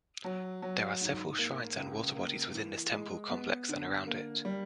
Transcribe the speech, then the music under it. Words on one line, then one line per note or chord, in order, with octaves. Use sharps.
There are several shrines and waterbodies within this temple complex and around it.
F#3
F#3
G#2
A#3
C#2
A#3
E3
G#3
B3
D3
A#3
G3